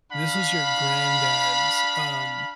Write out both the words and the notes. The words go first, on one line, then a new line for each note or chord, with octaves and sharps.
this was your granddad's, um,
D4 F5 B5